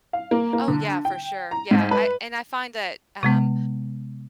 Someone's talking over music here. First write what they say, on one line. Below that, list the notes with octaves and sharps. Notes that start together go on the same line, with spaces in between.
Oh, yeah, for sure, yeah, I and I find that, um,
F5
A#3
A#3
D3
G5
A#5
G#2
B4
C3 G#3 B3